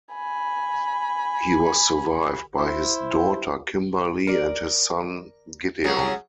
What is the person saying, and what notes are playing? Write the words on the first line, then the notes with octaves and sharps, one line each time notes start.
He was survived by his daughter Kimberly and his son Gideon.
G#5 B5
E4 C5
A#4 D5
C#3 F#3 G#4